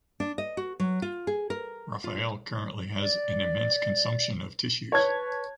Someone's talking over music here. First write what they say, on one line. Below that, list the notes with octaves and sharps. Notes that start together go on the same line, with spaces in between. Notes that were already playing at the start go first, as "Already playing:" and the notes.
Rafael currently has an immense consumption of tissues.
D4
D#5
F#4
F#3
F4
G#4
A#4
F4
D5
B4 C#5 A5 G#6